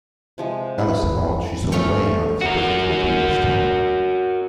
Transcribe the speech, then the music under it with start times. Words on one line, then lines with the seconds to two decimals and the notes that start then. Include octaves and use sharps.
Alice thought she saw a way out of the difficulty this time.
0.38 C3 F3 G#3
0.78 B3 E4
1.72 F3 A3 C#4
2.42 F#4 A#4